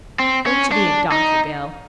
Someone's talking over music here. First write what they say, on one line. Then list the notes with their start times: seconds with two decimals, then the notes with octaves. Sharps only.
Don't you be a donkey, Bill.
0.20 C4
0.46 C#4
0.72 D4
1.12 D#4